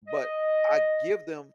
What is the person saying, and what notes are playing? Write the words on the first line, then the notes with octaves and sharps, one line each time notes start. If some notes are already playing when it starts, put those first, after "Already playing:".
but I give them
D#5